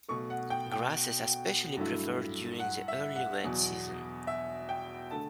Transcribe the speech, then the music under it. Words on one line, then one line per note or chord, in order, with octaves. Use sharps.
Grasses are specially preferred during the early wet season.
B1 B2 A3 C#6
F#5
G5
G5
G2 F#3 A3 E4
F#5
E5
F#5
E2 B2 F#3
E5
G5
D3 A3 A5